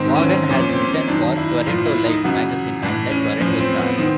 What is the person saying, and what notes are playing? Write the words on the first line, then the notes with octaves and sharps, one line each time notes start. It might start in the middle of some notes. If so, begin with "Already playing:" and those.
Vaughan has written for "Toronto Life" magazine and the "Toronto Star".
Already playing: G#2 D#3 C4
C#4
C4
A#2 F3 C#4
C4
C#4
F#2 D#3 D4
E4
A2 F3 F4
E4
D#4
F#2 C#3 E3 F#4
A2 E3 D4
C#4
A2 F3 C#4
C4
B3
D#3 C4